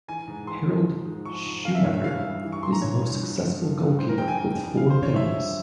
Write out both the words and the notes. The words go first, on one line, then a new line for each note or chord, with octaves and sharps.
Harald Schumacher is the most successful goalkeeper with four penalties.
E3 G#5
G#2
E3 C6
G#2
F3
G#2
F3 C#6
G#2
E3 F5
E5
G2 C#5
E5
E3 F5
G2
E3
C#6
G2 C6
A#5
E3 C#5
G2
F3
G2
F3
G2
E3 C5
A#4
F2 G5
G#5
E3 G5
F2
F3 F5
C5
G2
C#5
F3 E5
G2